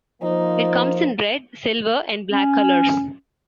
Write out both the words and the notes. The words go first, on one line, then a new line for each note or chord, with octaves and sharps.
It comes in red, silver and black colours.
F3 A#3 D#4 C5
C#4